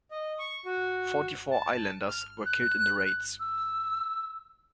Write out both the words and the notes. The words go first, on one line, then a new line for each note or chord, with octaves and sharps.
Forty-four islanders were killed in the raids.
D#5
C#6
F#4
A5
F6
F#6
E6